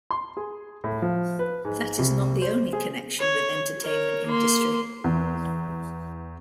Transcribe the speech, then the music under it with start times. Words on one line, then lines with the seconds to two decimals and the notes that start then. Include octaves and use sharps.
That is not the only connection with entertainment industry.
0.11 C6
0.37 G#4
0.84 A2
1.02 F3
1.39 B4
1.65 G#2
1.99 C2
2.42 C5
2.73 G#4
3.19 C#5
3.80 A#4 C#5
4.26 A#3 C6
5.04 E2